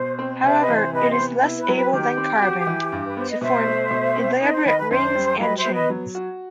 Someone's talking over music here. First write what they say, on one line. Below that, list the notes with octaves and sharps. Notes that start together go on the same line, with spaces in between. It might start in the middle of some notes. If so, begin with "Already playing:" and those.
However, it is less able than carbon to form elaborate rings and chains.
Already playing: B2 C5
C4
C3 C5 E5
B4 D#5
E3
C5
C3 B4 D#5
C5
B3
E4
B4
F#3
B4
D#3 G4
C4
F#4
E3
G2
B4
B3 C5
D#5
B2 C5 E5
A3
B2
C4
D#4 B4 D#5
C5
D#3 B4 D#5
B4
F#2 C5
G3
F#3 B4 D#5
C5 E5
B3
B4 D#5
F#3
F#4